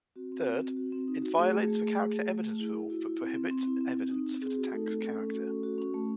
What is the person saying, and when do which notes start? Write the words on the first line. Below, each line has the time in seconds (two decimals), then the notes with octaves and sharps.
Third, it violates the character evidence rule that prohibits evidence that attacks character.
0.16 C4 F#4
0.32 C4
0.47 C4
0.62 C4
0.77 F#4
0.92 C4
1.08 D#4
1.22 F#4
1.37 A3 G#4
1.53 A3
1.68 A3
1.84 A3
1.98 A3
2.13 A3
2.29 A3
2.44 A3
2.59 E4 G#4
2.74 E4
2.90 E4 F#4
3.05 E4
3.21 C4
3.35 C4
3.51 C4
3.67 E4
3.81 C4
3.97 C4
4.11 D#4
4.27 C4
4.42 C4 G#4
4.57 F#4
4.72 A3 D#4 A4
4.88 C4
5.03 C#4
5.18 C#4
5.33 F#4
5.48 C#4
5.63 F#4
5.78 C#4
5.94 A3